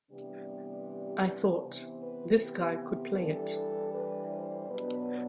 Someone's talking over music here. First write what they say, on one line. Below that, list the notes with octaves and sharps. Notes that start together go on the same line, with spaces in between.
I thought, This guy could play it.
C3 E3 G3 B3 D4 G4
C3 E3 B3 C5
B4
G4
E3 G3 D4 A4
B4
C5
B2 F#3 B3 D4 B4